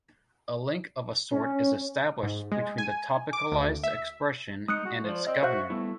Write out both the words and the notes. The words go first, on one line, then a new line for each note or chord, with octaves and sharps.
A link of a sort is established between the topicalized expression and its governor.
C#4
G#2
G#3
G#5
D6
D2
E5
G#3 D#4 D#6 F#6 C#7
G#3 F#4
F3 C5 D5
C4 D#5
F#4 C5 E5 F5 F#6
G3 A3 B3 E4